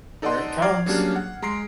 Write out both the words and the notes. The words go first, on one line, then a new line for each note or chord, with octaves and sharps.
Here it comes!
D#4 A4 D5 D#5 F#5 C6
D5 A#5 D6 F6 G#6 C7
F#3 G3 A#3 C#4 D4 G#4
F#5
G#3 A#5 C6 C7 D7